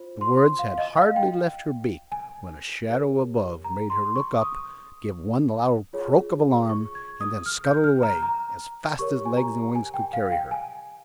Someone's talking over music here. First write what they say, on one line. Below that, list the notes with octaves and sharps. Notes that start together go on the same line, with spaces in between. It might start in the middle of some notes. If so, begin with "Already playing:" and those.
The words had hardly left her beak, when a shadow above made her look up, give one loud croak of alarm, and then scuttle away, as fast as legs and wings could carry her.
Already playing: F4 C5
C6
F5
D#5
F5
G5
G#5
G4 A#4 C#5
A#5
C6
C#6
D#6
F4 G#4 C#5
C#6
G#6
D#6
F6
G6
F6
A#5
A#5
G4 A#4 C#5 C#6
G#5
A#5
G#5
G5
F5
G5
G#5